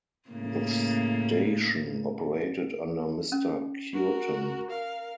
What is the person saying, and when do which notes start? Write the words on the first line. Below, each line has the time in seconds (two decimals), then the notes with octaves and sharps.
The station operated under Mr. Cureton.
0.30 A2 C#3 A#3
3.32 C#4
3.93 F#4 A#4
4.70 A#4 F5